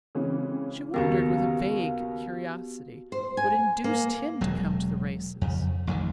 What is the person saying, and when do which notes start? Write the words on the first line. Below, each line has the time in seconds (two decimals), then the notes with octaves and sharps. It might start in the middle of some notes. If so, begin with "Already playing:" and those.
She wondered with a vague curiosity what induced him to come to the races.
0.15 C#3 E3 G#3 C4 C#4
0.94 D#2 C#3 B3 F#4 G4 A#4
3.12 C5
3.37 G#5
3.84 A#3
4.41 E1 F#3 G#3
5.41 F2 C#3
5.87 A1 F2 D3 D#3